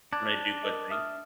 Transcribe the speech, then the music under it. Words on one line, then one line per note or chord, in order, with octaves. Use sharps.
when I do good things
D4 G#6
A#4 D#5
E5 D#6 F6